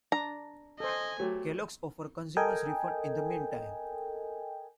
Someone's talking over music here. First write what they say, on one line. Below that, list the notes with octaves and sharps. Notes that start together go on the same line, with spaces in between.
"Kellogg's" offered consumers refunds in the meantime.
D4 A#5
A4 C5 D#5 G#5
F#3 A3 G4
A4 A#4 D#5 G5 G#5